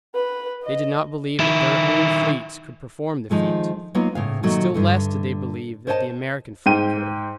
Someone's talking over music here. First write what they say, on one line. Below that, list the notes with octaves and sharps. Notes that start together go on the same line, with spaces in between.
They did not believe that their own fleets could perform the feat, and still less did they believe that the American fleet could.
B4
D#5
D#3 E4
D#3 F3 G#3 A3
F#3 A#3 B3 D#4 F4
A2 C#3 F5
A#2 D#3 F#3 A3
G2 D3 A3
A#4 C5 C#5 D#5 F5 A5
G#2 G5 D#7